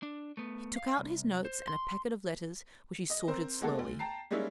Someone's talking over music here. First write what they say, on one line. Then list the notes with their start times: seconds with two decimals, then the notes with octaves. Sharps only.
He took out his notes and a packet of letters, which he sorted slowly.
0.03 D4
0.37 A3 B3
0.76 F5
0.98 C2
1.45 C5
1.67 C6
3.10 D#5
3.28 C4 A#4 C5
3.61 B2 G#3 A#3 F#4 A4
3.79 D2
3.99 G5 A5 A#5 C7
4.31 G3 G#3 A#3 C#4 D#4 E4